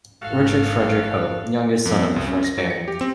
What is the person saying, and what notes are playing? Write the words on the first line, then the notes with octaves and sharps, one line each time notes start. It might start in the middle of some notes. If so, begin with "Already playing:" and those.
Richard Frederick Hope, youngest son of the first Baron.
G#1 G#2 F#4 A4 F5
F2
B3
C2
C#4
A#6
F#3
C#7
G4
C4